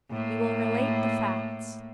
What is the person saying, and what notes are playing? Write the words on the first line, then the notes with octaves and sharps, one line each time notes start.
We will relate the facts.
A2 A#3